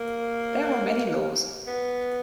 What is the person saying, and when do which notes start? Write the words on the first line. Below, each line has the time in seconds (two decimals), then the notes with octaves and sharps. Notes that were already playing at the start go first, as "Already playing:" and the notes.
There are many laws.
Already playing: A#3
1.67 B3